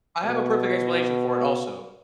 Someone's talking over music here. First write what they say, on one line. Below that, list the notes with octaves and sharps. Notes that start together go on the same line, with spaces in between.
I have a perfect explanation for it also.
B2